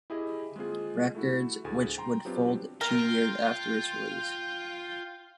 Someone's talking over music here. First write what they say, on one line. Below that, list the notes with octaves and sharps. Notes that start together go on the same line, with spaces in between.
Records, which would fold two years after its release.
E4 G4 G#4 D#5
G#3 A#3 C4 F4 G#4
A3 E4 F#4
D2 A2 G#4 G#5
G5 A#5 C6
F#3 B3 C4 D4 F4 G4
F4 A#4 G5